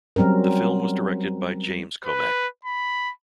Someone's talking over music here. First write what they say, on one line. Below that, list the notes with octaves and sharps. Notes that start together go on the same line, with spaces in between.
The film was directed by James Komack.
F#3 G3 C4 C#4 A#4
B4
B5